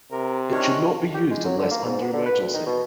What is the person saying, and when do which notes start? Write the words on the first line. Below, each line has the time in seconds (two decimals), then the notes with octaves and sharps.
It should not be used unless under emergency.
0.12 C3 A#4
0.52 D#3 C#4 D4 C#5
1.14 G4
1.30 G#3
1.45 F#3
1.58 D3
1.71 A#3
1.85 G#2
2.01 B3
2.13 D3
2.26 B4
2.40 D2
2.54 D#3
2.66 B2